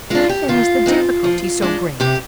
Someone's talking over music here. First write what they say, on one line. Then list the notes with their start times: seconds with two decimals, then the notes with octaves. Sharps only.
"Why then is the difficulty so great?"
0.10 G#3 D4 F4
0.29 G4
0.48 D#3 F4
0.86 G#3 C4 D#4
1.24 F3
1.62 G#3 D4
2.00 C3 G4